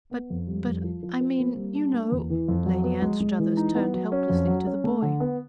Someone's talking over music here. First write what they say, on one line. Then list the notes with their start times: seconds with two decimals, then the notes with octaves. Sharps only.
"But--but--I mean--you know----" Lady Anstruthers turned helplessly to the boy.
0.11 B3
0.30 F2
0.47 G3
0.66 F2
0.84 F3
1.03 F3
1.21 C4
1.39 A#3
1.56 G3
1.75 D4
1.93 A#3
2.12 E2
2.30 E3
2.48 F2
2.66 F#3
2.84 B3
3.02 G#3
3.20 G#3
3.39 E3
3.57 D#4
3.75 B3
3.94 F#3
4.12 C#4
4.30 F2
4.47 F#3
4.66 C#4
4.84 A3
5.02 D3
5.20 B3